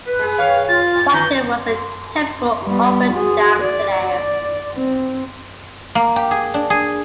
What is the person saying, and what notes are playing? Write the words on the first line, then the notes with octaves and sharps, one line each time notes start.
Whiten was a typical up-and-down player.
B4
G#3 G#4
D#2 C#5 F5
F4 A6
A2
D3 D#4 B4 A#5 G6
G3 B3
F#4 G#4
D5
D5
C4
A#3
G4
G#4
D4
G#4